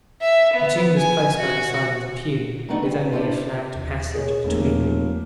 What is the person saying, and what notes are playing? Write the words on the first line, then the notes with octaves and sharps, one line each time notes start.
The tomb was close by the side of the pew, with only a flagged passage between.
E5
B3
G#5
F#4
F#3 A3 B3 D4 D#4 F#4
C4 B4
D4 E4 F4 G#4 C5 D5
D#2
G#4 C#5
F1 E2 A#2 A#3